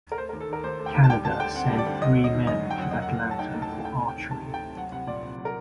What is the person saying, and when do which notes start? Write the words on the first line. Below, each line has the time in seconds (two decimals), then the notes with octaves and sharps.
Canada sent three men to Atlanta for archery.
0.12 A#4
0.17 A3 C5
0.29 A#4
0.33 D#2
0.40 A4
0.49 D#3 A#4
0.64 D#2 C5
0.79 A3
0.86 G5
0.94 D#2
1.04 A5
1.10 G3 G5
1.25 D2 A5
1.40 D3 G5
1.55 C4 F#5
1.71 G3
1.78 D5
1.86 D2
2.01 F#3 D#5
2.17 F#2
2.24 D#5
2.32 D#3
2.47 F#2 D#5
2.63 F#3
2.71 G5
2.78 F#2 F#5
2.91 A#3 D#5
3.02 F#5
3.08 A2
3.23 F#3
3.31 A5
3.39 D#4 G5
3.54 A#3
3.62 A5
3.70 A2
3.85 A3 G5
4.00 C3
4.08 G5
4.16 D#3
4.30 C3 A5
4.46 A3
4.54 G5
4.61 C3
4.77 F#3 F#5
4.92 C2 F#5
5.07 A#2 D5
5.22 C2
5.38 F#3
5.45 A#4